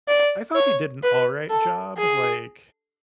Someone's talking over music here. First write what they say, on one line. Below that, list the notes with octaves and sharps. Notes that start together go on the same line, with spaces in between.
I thought he did an all right job. Like,
D5
C#5
B4
A4
G#4